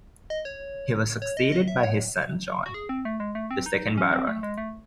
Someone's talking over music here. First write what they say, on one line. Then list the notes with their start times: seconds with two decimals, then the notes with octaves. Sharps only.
He was succeeded by his son John, the second Baron.
0.30 D#5
0.45 C#5
1.22 C#5
1.37 D#5
1.52 D#5
1.68 E5
1.83 C#5
2.66 F#4
2.74 G#4
2.89 C4
3.05 A3
3.20 G#3
3.35 A3
3.51 C4
3.66 D#4
3.97 C#4
4.12 C4
4.27 A3
4.43 G#3
4.58 A3